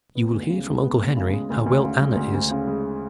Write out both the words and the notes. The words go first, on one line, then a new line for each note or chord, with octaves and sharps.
'You will hear from uncle Henry how well Anna is.
B3
D2
C#3
G#3
B3
D2
C#3
G#3
D2
D2
C#3
G#3
D2
D2
C#3
G#3